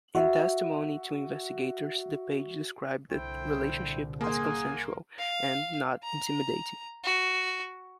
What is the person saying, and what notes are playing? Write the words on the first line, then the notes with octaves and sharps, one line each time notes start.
In testimony to investigators, the page described the relationship as consensual and not intimidating.
F#4 E5
C2 A#2 D3 E4 C5 G5
A#3 G#4 F#5 G#5 C6
F5
A#5
F#4